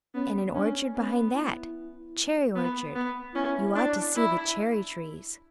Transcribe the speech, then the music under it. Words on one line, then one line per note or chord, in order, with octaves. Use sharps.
And an orchard behind that--cherry orchard. You ought to see the cherry trees!
B3 C#4
C#4 D4
B3 C#4
E4
B3
B3
C#4 E4
D4
E4